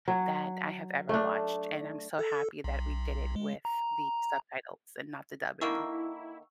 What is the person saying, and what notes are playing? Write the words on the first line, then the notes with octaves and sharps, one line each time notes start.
that I have ever watched, and I'm so happy that we did it with the subtitles and not the dubbing.
F#3
A3 D4
A4
B1
G#3
A#5
D3 D#3 A#3 E4 C#6 E6